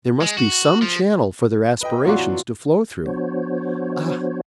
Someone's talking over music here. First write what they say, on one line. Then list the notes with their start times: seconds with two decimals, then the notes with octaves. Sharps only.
There must be some channel for their aspirations to flow through--- Ah!
0.21 G#3
0.38 F#4
0.82 F3
1.81 B4 D#5 G5
2.05 A1 E2 F#3 F4 F#4 D5
3.06 F3 B3 D4 F#4 C5 C#5